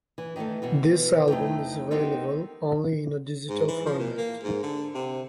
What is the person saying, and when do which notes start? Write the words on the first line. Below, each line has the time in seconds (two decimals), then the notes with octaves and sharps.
This album is available only in a digital format.
0.18 E3
0.36 D#3 E3 G3 A3 A4
0.62 B2 E3 B3
1.28 F2 A3 D#4 G5
1.91 B3 C4 D#4 G4 A4 A#4
3.49 G#2
3.68 E3
3.86 F3
3.99 A#2
4.17 A#3
4.43 G#2
4.63 D3
4.94 C3